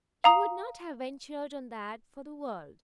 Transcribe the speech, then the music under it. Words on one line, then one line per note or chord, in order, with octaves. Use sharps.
He would not have ventured on that for the world.
F5 A#5 D#6